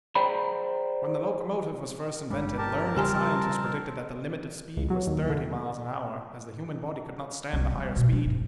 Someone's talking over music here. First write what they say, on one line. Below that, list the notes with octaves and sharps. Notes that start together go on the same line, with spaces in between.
When the locomotive was first invented learned scientists predicted that the limit of speed was thirty miles an hour, as the human body could not stand a higher speed.
G#4 C5 D5 G5 A#5 B5
G1 G3 G#3 D4
F2 G4 A#4 A5
C#3 G3 C4 G4 G#5 A#5
C#2
F#3
D#2
D3
C2
G3
B2
D4
G2